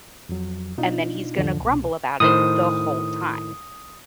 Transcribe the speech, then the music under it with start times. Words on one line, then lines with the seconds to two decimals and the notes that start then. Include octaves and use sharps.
and then he's gonna grumble about it the whole time.
0.29 F2 F#3
0.78 B2 D4 D#4 F4
1.37 E2 G#2 D3 E3 F3
1.61 C2 B2
2.20 A2 D#3 C5 D#6